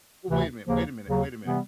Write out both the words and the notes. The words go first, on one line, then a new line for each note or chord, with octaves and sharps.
Wa wait a minute wait a minute wait a minute,
D2 C3 E3
D#2 C#3 F3 A#3
D#2 C#3 F#3
C3 E3 G3 B3